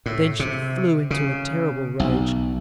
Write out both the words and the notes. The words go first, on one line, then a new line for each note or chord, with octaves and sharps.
Then she flew into a terrible rage.
A2
C3
C#3
B1